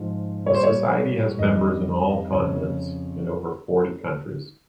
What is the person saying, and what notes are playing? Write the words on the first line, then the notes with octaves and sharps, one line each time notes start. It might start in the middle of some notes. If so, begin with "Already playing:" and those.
The Society has members in all continents, in over forty countries.
Already playing: G#2 F3
G3 C#5
A#2 C5
C#5
F2 D#3 G3 D#5
F2 C#3 F3 C#5